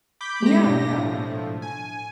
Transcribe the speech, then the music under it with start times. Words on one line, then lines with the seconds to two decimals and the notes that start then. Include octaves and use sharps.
Yeah, yeah.
0.21 B5 D6 G6
0.43 G#3 A3 G4 A#6
0.65 G#2 B2 D4
0.92 A2 F3
1.62 G#5